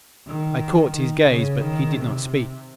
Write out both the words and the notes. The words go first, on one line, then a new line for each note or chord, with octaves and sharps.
I caught his gaze but he did not speak.
D#3
D#3
C#3
D#3
C3